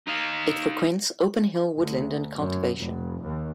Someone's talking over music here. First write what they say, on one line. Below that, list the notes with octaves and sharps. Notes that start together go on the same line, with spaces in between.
It frequents open hill woodland and cultivation.
D#4 F5
D2
F#2
F1
D#2